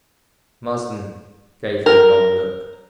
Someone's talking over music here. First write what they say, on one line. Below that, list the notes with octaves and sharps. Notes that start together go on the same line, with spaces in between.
Marsden gave him a long look.
A#4